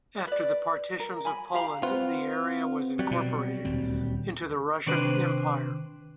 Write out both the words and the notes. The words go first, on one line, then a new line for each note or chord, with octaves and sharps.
After the Partitions of Poland the area was incorporated into the Russian Empire.
B4 D5
A#4
G#5 B5
G4 F5 A#5 B5
C4 F4 B4 F#5
F#3 G3
B2
D#1 D2 C4
C3 D#3 D4 B4 C5